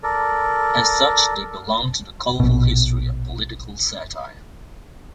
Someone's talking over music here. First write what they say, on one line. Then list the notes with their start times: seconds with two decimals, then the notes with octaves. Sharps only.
As such they belong to the colorful history of political satire.
0.03 A4 A#4 D5
2.40 A#1 B2